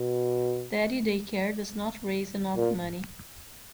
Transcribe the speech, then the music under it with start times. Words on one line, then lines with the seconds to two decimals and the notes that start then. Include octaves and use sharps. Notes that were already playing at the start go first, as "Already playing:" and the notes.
Daddy Day Care does not raise enough money.
Already playing: B2
2.56 A#2